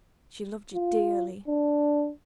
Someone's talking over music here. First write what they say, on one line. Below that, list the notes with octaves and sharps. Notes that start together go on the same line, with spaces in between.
She loved yo' dearly.
F4
D4